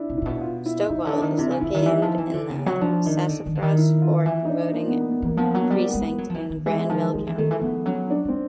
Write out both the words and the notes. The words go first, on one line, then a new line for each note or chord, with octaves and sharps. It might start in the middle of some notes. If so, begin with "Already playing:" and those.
Stovall is located in the Sassafras Fork voting precinct in Granville County.
Already playing: D4 E4
C3
E4
A#2
B2
F4
E4
C#3 D#4
D3
D4
D#3
C3 E4
C#3
D3 E4
D#3
E4
E3 D#4
F3
E3
D3
C#3
F#3
F3 D4
D#3 D#4
D3
D#3
D3
D#3
D#4
E4
F4
E3
D#4
D4
A#3
B3
A#3
B3
E3 A#3
F3 B3
F#3 A#3
B3
G3 A#3
B3
G#3
A#3
F#3
F3
E3
D#3
E3 G#3
D#3 F3
F3 G#3
E3
D#3 A3
E3
F3 B3
F#3 C#4
D4
G#3 C4